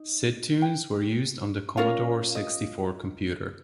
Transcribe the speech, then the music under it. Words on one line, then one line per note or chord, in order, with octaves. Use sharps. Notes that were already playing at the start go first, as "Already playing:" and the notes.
Sidtunes were used on the Commodore sixty four computer.
Already playing: D#4
G5
C#4 F4 A#4 F5
D#5